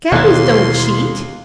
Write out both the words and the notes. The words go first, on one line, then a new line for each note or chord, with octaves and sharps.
"Cabbies don't cheat."
D#2 B2 E3 F5 C6 F#6